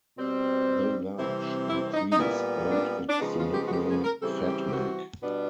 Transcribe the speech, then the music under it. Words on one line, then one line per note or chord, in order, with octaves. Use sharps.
The large increase earned it the nickname Fat Mac.
B2 G3 C4
C3 E3 G3 C4 E4
E4
D#4
D#4
A#2 G3 B3 E4
D4
D4
C#3 F3 G#3 B3 D#4
F4
G4
F#4
G4
G#4
A#4
C#3 E3 G3 C4 A4
G4
G4
F#4
B2 G3 B3 D4